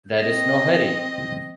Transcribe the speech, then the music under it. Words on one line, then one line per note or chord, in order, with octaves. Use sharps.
There is no hurry.
C4 D#5